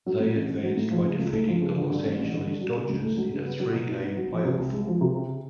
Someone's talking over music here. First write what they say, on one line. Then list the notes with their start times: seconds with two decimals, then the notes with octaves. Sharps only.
They advanced by defeating the Los Angeles Dodgers in a three-game playoff.
0.06 F#3
0.20 A2
0.35 A1
0.48 A1
0.63 F#3
0.77 A2
0.91 F3
1.05 C#3
1.19 C#2
1.33 A3
1.48 F3
1.62 C#3
1.76 D3
1.90 G2
2.04 A1
2.19 A1
2.33 D3
2.47 G2
2.61 F#3
2.75 C#3
2.89 C#2
3.03 A3
3.17 F#3
3.32 C#3
3.46 B3
3.60 F#3
3.74 B2
3.88 D#4
4.03 B3
4.17 F#3
4.31 F3
4.45 C3
4.59 C2
4.73 G#3
4.87 F3
5.01 C3
5.16 C#3